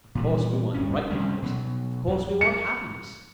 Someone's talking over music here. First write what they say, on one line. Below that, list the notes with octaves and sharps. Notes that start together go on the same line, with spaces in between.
Of course we want bright lives, of course we want happiness.
A#2 E3 G3
D1 G2 C#4
C3 D#3 G3 C#4
B2 F#3
F2 F#3
C#7